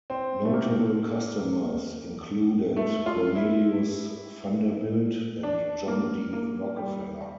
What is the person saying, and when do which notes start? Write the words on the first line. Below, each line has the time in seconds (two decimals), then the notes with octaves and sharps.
Notable customers included Cornelius Vanderbilt and John D. Rockefeller.
0.10 C4
0.45 A3
0.53 A#3
2.76 A3
3.06 F4
3.35 E4
5.43 D4
5.88 A#3
6.33 A#3
6.77 G3